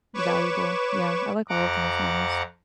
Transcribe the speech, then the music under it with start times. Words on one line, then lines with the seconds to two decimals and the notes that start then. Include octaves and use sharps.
valuable. Yeah, I like all of them, if I'm honest.
0.14 B4 C#5 C#6 D6 E7
1.49 F2 F#5 A#5 D6